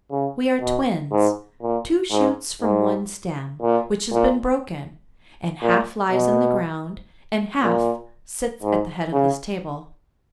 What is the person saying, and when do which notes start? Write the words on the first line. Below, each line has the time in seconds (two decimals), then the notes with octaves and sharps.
'We are twins, two shoots from one stem, which has been broken, and half lies in the ground and half sits at the head of this table.
0.11 C#3
0.61 B2
1.12 G#2
1.62 A#2
2.11 G#2
2.62 G#2
3.62 A#2
4.12 A#2
5.62 A#2
6.12 B2
7.62 A#2
8.63 G#2
9.13 C#3